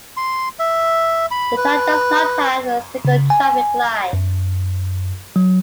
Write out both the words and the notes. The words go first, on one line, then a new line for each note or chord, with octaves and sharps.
The town does not have a single traffic light.
C6
E5
B5
B4
C#3
G#5
F#2
F#3